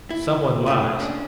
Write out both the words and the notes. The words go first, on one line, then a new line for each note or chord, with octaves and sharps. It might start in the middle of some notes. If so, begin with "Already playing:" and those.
Someone lies.
E4
A2 A3 E4 G#4
C#4 D4